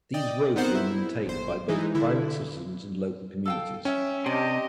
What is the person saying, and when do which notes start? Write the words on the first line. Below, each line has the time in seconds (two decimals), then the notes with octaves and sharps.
These roads were maintained by both private citizens and local communities.
0.14 D5 D#5 G5
0.56 B3 C4 D#4 A#4 C5 F#5
0.75 E4
1.26 G1 C5
1.68 E3 G#3 D#4
1.95 D3 E4
3.45 A4 F5 G5
3.85 C#4 E5 G5
4.26 C3 D4 G4 D#5